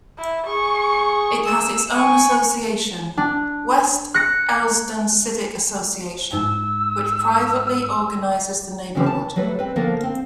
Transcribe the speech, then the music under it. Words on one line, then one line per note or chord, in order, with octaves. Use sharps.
It has its own association, "West Elsdon Civic Association," which privately organizes the neighborhood.
E4
G#4 C#6
E6
G#5 C#6
D4
F#6 A#6 C#7
G#2 E6
C#3 E3 F#3 A#3 C4 C#4
A5
F#3 G3 A3 B4
C4 B4
D3 F3 A#3 B3 A4 A#4
C4